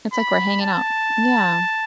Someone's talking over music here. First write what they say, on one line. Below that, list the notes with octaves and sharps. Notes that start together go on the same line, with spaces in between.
It's like we're hanging out, yeah.
B5
A5